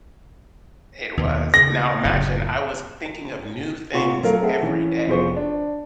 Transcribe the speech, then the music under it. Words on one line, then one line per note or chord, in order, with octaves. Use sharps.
It was. Now imagine I was thinking of new things every day
D#2 B2
C#3 A#6
F#1 A2
C3 F4 F#5 C#6
F#3 A3 A#4 F5
A3 C4 G#4 A4 E5 F#5
E3 C#4
F1 B3 F4 G#4 C5 C#6
D4